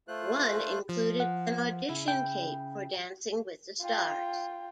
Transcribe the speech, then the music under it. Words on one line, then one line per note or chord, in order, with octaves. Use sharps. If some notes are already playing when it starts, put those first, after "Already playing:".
One included an audition tape for "Dancing with the Stars".
A3 F4 C5 F#6
F3
F#5
C#3 E4
G5
F4 G5